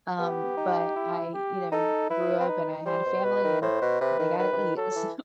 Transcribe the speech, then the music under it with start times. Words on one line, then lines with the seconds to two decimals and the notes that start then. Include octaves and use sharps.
Um, but I, you know, grew up and I had a family and they gotta eat, so,
0.19 B3 G4
0.57 D#4
0.96 E4
1.34 G4
1.72 D#4 A4
2.10 E4 B4
2.40 C4
2.49 D#4
2.86 G3 C5
3.05 B2
3.24 B2 B4
3.43 D#3
3.62 A2 C5
3.82 B2
4.00 C3 B4
4.19 D#3
4.38 D#3 B4
4.52 C3
4.57 D#3
4.76 F#3 A4
4.91 F#3
4.95 E3